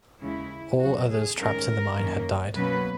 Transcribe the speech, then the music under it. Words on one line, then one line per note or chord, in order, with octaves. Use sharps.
All others trapped in the mine had died.
D#2 C#3 G#3 C#4 E4
E2 C#3 F#3 F#4
G#4
G#2 D#3 G#3 C#4 A#4
F#2 D#3 A#3 C#4
B2 F#3 A#3 C#4 B4